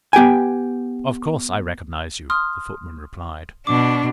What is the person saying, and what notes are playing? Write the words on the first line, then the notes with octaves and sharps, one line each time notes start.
"Of course I recognise you," the footman replied.
B3 G4 G5 G#5
C6 D#6 F6
B2 D4 D6